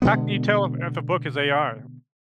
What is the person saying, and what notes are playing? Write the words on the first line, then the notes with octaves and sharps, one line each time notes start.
How can you tell if, if a book is AI?
B2 D3 G#3 B3